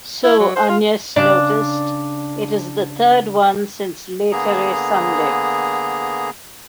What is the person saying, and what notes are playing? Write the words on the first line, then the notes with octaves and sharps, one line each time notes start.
So, Agnès noticed, it is the third one since Lætare Sunday.
E4
F#3
C5
F4
C#3 D4 D5
D3 A#3 B3 G#4 A#5